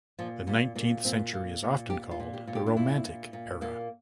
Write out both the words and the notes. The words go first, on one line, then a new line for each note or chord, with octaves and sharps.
The nineteenth century is often called the Romantic era.
A#2 F3
A#2 G3
A#2 A#3
A#2 C4
A#2 A#3
A#2
A#2 G4
F4
A#2
G4
A#2
G4
D4
A#2 E4
A#2
A#2
A#2 A#3